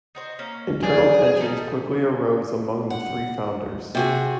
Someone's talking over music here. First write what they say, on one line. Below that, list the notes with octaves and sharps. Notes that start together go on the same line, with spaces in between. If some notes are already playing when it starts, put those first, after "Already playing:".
Internal tensions quickly arose among the three founders.
D#4 F#4 C5
A#3 C#4
D4 G#4 D5 G5
G3 D#4 A4
F#5
C3 F#4 G#4